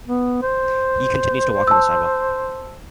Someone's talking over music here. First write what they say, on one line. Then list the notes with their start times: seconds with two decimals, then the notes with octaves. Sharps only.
He continues to walk on the sidewalk.
0.08 B3
0.42 C5
1.68 A5 E6